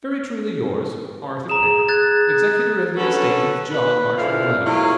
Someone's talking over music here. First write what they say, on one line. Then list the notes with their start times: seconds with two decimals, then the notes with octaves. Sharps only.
Very truly yours, Arthur Pickering, Executor of the Estate of John Marshall Glenarm.
1.49 G#4 A#5 E7
1.89 F#6 G#6 A6
2.96 D3 C#4 F#4 A4 B4
3.71 B4
4.18 A#2 D3 F3 E4 F5
4.64 F#3 G#3 A#3 C#4 E4 F4